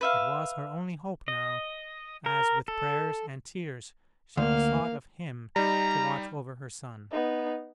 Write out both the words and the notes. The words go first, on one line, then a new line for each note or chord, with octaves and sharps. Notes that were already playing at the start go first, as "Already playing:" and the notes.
It was her only hope now, as with prayers and tears she besought of Him to watch over her son.
B4 E5 F5
D#5
A#4
A4
D2 A#3 F5
G3 D#4 A#5
B3 D#4